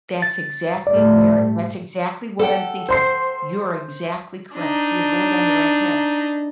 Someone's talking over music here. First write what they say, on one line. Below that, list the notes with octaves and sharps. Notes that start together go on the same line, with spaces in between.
That's exactly where that's exactly what I'm thinking. You're exactly correct, you're going down the right path.
A6
A2 G3 A3 D5
A4 F#5 G5
C5 C6 C7
D4 D#4